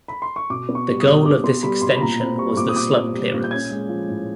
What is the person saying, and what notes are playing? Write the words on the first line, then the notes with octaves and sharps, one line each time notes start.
The goal of this extension was the slum clearance.
B5
C6
C#6
B2 D6
B3
C#6
G3
D#6
B2
B2 D6
B3 C6
G3 B5
B2 C6
B5
A#2 A#5
C4 B5
G3 C#6
A#2 D6
D#6
A#2 D6
C4
G3
A#2
G6
C#4 G#6
G#3
F3
A2